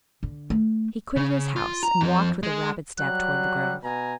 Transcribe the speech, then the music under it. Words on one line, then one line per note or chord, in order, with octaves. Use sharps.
He quitted his house, and walked with a rapid step toward the Grove.
D3
A3
C#3
F4
A#5
F2 F3
G#3
F#3 G3 F#6
B2 G#5 A#5